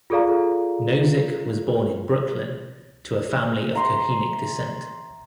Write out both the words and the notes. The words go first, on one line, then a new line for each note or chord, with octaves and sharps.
Nozick was born in Brooklyn to a family of Kohenic descent.
F4 G#4 A4 D5 F5 A#5
E5 A#5 C6